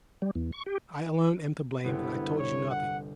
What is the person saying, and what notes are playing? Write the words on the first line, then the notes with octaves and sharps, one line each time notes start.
I alone am to blame, and I told you nothing.
G3
E2
C#6
G4
G1 C2 B3 E4
C#5
F#5